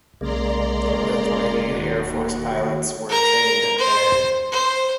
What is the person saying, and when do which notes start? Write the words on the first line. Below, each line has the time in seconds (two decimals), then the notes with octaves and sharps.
The Lithuanian Air Force pilots were trained there.
0.21 B1 C#3 G#3 A#3 D5 A#5 C6
0.97 E1
1.74 D#2 F#4
3.09 A#4 A#5
3.78 C5
4.52 C5